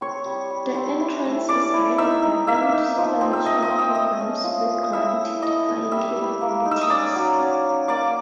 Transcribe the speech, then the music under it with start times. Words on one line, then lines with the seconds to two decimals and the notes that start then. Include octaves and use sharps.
The entrance is guarded by armed supernatural programs with gravity-defying capabilities.
0.01 C4 C#5 C#6
0.26 G3
0.51 G3
0.75 C4
1.00 E4
1.25 A3
1.49 C#4 D5 D6
1.74 E4
1.98 D#4 E5 E6
2.23 D#4
2.47 A#3 E5 E6
2.72 D#4
2.97 F3
3.21 C4
3.33 E6
3.46 A3 D#5 D#6
3.62 D#5 D#6
3.71 C4
3.78 E5 E6
3.95 A3 D#5 D#6
4.20 C#4
4.44 F3
4.69 C#4
4.83 D#6
4.93 E4 E5 E6
5.19 A3
5.42 E4 D#5 D#6
5.68 A3
5.92 G3 E5 E6
6.16 G3
6.41 A#3
6.66 D#4
6.71 E6
6.81 D#6
6.90 C#4 D5 D6
7.16 F#3
7.39 C#4
7.65 F#3
7.88 A#3 D5 D6